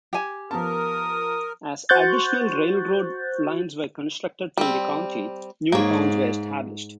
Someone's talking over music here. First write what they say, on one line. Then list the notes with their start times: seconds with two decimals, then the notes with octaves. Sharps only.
As additional railroad lines were constructed through the county, new towns were established.
0.13 G4 G#5
0.51 F3 B3 A#4 A5 D#6
1.89 F#4 C5 C#6 F#6 G6 A6
4.57 G3 C4
5.72 G#2 A#3 C#5